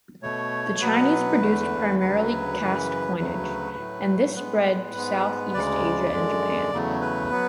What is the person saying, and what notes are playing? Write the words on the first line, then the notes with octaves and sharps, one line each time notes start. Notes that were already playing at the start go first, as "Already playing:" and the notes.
The Chinese produced primarily cast coinage, and this spread to South-East Asia and Japan.
B2 A3 C#5
B2 F#3 B3 B4
E2 D3 A3
D2 C#3 F#3 B4
F#2 C#3 E3
D2 C#3 F#3 A3 B4
A2 F#3 A3
A2 G#3 B3 B4
G#2 G#3 B3
D2 C#3 G#3 D5
F#2 D3 G#3
E2 C#3 F#3 A3
B4
F#3 B3